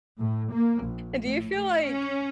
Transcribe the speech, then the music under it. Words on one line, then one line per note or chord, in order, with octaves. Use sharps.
And do you feel like
A2
A#3
A#1
A2
A3
C#4